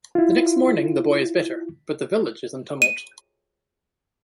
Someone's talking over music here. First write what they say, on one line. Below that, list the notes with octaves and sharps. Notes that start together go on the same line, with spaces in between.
The next morning, the boy is better but the village is in tumult.
E4 F4
D#7